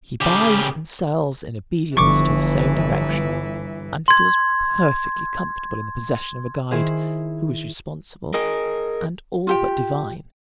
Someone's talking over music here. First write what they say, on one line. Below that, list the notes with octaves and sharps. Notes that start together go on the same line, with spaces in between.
He buys and sells in obedience to the same direction, and feels perfectly comfortable in the possession of a guide who is responsible and all but divine.
C#3 G4
G1 D3 E3 F3 C#6 D6
C6 G#6
D#3 E4 G#4 C5
G#4 A#4 D#5
F4 G4 G5